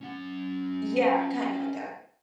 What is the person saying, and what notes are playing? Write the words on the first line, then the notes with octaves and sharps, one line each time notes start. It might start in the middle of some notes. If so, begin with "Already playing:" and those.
Yeah. Kinda like that.
C#4 F#5